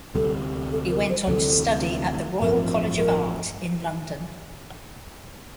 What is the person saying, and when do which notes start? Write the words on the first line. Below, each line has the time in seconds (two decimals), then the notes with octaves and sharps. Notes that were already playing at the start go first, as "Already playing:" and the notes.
He went on to study at the Royal College of Art in London.
0.15 D2 C3 G3 A4
0.72 A4
0.91 A#4
1.09 C5
1.27 D2 C3 E3 A4
2.40 A1 G2 F3 C4 A#4
2.98 A#4